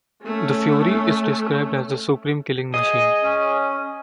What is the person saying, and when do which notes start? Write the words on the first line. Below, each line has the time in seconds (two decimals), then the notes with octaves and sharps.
The Fury is described as "the supreme killing machine".
0.24 A3 C#4
2.74 G#4 D#5
3.22 C#4